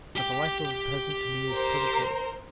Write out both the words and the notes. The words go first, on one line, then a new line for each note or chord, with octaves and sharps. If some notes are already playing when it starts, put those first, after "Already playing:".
But the life of a peasant to me is purgatory.
G4 G5
A#4 C5